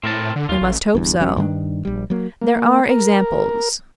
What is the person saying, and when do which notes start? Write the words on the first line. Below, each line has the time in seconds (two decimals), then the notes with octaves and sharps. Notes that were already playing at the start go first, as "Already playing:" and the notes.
We must hope so. There are examples.
0.03 A2 C4 A#4 A5
0.20 A2
0.36 D3
0.49 D#2 F4
0.61 A1
0.95 G1 E2 G2
1.20 F1 F#3 C#4
1.37 G2 D#3 C4 D4
1.85 A#1 G3
2.10 F#3 A#3
2.41 A#3
2.89 A#4